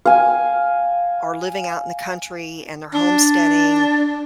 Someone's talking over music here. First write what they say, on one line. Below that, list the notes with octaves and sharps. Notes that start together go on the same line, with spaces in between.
are living out in the country and they're homesteading
F5 G#5
D4